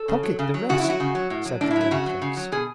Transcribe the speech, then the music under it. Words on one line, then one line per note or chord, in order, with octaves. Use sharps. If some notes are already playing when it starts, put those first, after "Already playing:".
"Pocket the rest," said the young prince.
Already playing: A4
C#3
F#3
C#3
F#3
C#3 F#4
E4
F#3
F#4
C#3
F#3
A2
F#3
A2 D4
E4
F#3
E4
C#3 F#4
F#3
C#3
F#3
B2 G#4